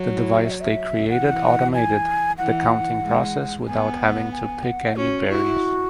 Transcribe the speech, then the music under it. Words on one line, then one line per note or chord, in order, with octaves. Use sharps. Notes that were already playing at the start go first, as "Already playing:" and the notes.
The device they created automated the counting process without having to pick any berries.
Already playing: F#3
E4
E5
C#5
E5
E3 F#5
G#5
E3 F#5
G#3
B3 G#5
G#5
F#5
G#5
F#5
C#4 F#4
E4 F#4